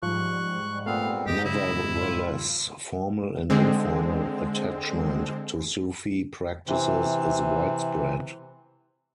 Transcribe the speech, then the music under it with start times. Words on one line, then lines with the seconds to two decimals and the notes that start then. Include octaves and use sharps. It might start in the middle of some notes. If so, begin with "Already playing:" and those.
Nevertheless, formal and informal attachment to Sufi practices is widespread.
0.03 G#2 F3 G3 C#6 F#6
0.86 A#2 A3 B3 C4 F5
1.27 G2 G4 D#5
1.45 C#3 E4
1.99 F4
3.50 D3 G#3 C4
6.67 C3 E3